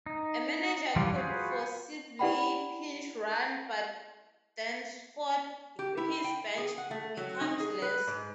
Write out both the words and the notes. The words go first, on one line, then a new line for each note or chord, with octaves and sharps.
A manager could feasibly pinch-run, but thenceforth his bench becomes less.
D#4
E3 F3 G3 F4
F4 F#4 G#4 B4 C5
E4 G4 D5 F#5 G5 B5
G4
E4
G5
G#4
F#5
A3
F#3
D#4
G#4
B4
G#2